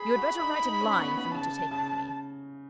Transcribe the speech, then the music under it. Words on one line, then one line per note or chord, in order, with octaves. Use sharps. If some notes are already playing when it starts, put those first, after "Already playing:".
You had better write a line for me to take with me.
Already playing: G#4 B5
F#4
D#4
D#4
C#4
B3
B3
C#3 A5
C#3